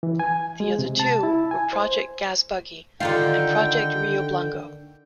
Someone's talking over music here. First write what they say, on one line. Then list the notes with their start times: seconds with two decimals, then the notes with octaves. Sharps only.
The other two were Project Gasbuggy and Project Rio Blanco.
0.03 E3
0.20 G#5
0.60 G#3
0.79 C3
1.00 A5
1.23 E4
1.51 G#5
1.73 C5
3.00 D3 D#3 F4 G5